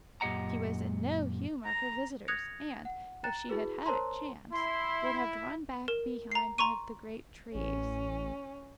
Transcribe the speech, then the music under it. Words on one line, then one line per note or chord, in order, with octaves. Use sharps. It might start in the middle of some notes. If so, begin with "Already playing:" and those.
She was in no humour for visitors and, if she had had a chance, would have drawn back behind one of the great trees.
F#2 A#2 G4 D#5 F#5 A#5
A#5
D#6 F#6 G#6 A#6 C#7 F7
F#5
G5 A#5 F#6 A6 E7
E4 F#4 G#4 B4
A#4 C5 C#5 A5 A#5 C6
E4 C6
A#4 E7
A#5 C7
A#5 C6 C#6 D#7
A1 C#4